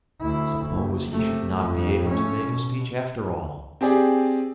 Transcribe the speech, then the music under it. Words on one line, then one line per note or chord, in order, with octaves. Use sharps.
Suppose he should not be able to make a speech after all!
D2 E4
F#1
C3 A3
F2
A3 C#4
B2
C4 G4 G#4 D5 G#5